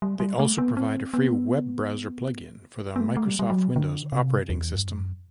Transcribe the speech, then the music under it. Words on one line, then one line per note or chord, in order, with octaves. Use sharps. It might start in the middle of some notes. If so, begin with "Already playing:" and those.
They also provide a free web browser plug-in for the Microsoft Windows operating system.
G3
G3
A3
B3
C4
B3
B3
A3
A3
G3
G3
F#3
D3
C3
E2
G2
F#2